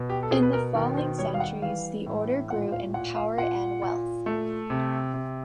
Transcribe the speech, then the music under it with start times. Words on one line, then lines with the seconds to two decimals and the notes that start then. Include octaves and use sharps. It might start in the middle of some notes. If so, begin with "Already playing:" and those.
In the following centuries the order grew in power and wealth.
Already playing: B2
0.10 G4
0.23 A4
0.31 B2 G#4
0.43 B4
0.53 A#4
0.75 D#3 A#4
0.97 C5
1.18 G3 C#5
1.34 F5
1.40 F#5
1.62 E3 F5
2.06 A2
2.50 A#2 F#5
2.72 F5
2.94 A#2 F#5
3.16 F5
3.38 A#2 F#5
3.82 A#2
4.26 A3
4.70 C3
5.14 C3